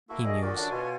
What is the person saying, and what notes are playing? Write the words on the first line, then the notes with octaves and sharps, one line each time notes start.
He mused.
A#3 E4 F#4 A4
G#4 D5 D#5
A#2 D#3 F#4 D5
F#2 D3 D4
B2 F4 C#5 G#5